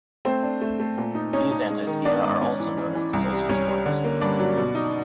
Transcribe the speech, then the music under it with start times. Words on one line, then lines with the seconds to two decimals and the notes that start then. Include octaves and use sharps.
These antiscia are also known as the "solstice points".
0.25 A3 C4 C5
0.43 D4
0.61 A3
0.80 A3
0.98 A#2
1.15 D#4
1.33 C#4 D#4 C#5
1.51 D#4
1.70 G#3
1.87 D#3
2.05 B3 D4 D5
2.23 G#2
2.41 C#4
2.60 E3
2.78 E3
2.95 E3
3.13 C2
3.32 G3
3.49 C2 C#4 C#5
3.67 G3
3.86 D3
4.04 A#3
4.21 G2 D4 D5
4.39 F#3
4.57 B2
4.75 D#4